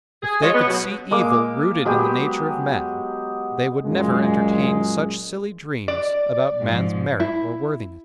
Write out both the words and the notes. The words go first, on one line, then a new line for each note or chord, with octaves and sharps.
If they could see evil rooted in the nature of man, they would never entertain such silly dreams about man's merit or worthiness.
G#4
G#3 F4 C#5 D#5
B3
B2 F#3
G#3 A#3 D6
F#3 G#3 B3 G4
F#2 A#2 G#3
D5
G#2 F3
E4